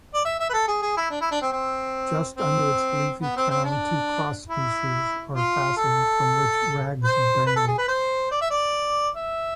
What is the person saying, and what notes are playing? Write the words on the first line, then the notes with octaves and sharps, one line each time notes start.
Just under its leafy crown two crosspieces are fastened from which rags dangle.
D5
E5
E5
B4
A4
G#4
G#4
E4
D4
E4
D4
C4
C4
C4
B3
C4
C4
D4
E4
F4
A4
C5
B4
A4
G#4
B4
C5
D5
E5
D5
E5